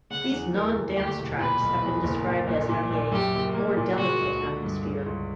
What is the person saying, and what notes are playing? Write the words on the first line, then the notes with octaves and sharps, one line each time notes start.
These non-dance tracks have been described as having a "more delicate atmosphere".
C#3 F#5
E2
E2 A#4
F#1
D2 G4
E1
A#2 B4
B1
E2
F#1
A#2
A#1
A#2
A#1
F#2 G4
F#1
A#3
A#2
C#3 F#4
C#2
D3
G2
C#3
C#2